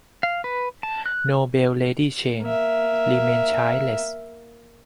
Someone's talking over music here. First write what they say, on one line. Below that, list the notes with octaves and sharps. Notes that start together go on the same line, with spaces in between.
Noble Lady Cheng remained childless.
F5
B4
A5
F#6
A#3 E5